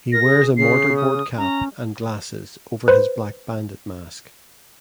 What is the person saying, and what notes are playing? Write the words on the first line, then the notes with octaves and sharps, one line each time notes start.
He wears a mortar-board cap and glasses over his black bandit mask.
A#4 A#6
G#4
C#3 C7
D#6
C#4 A#5
B4 C5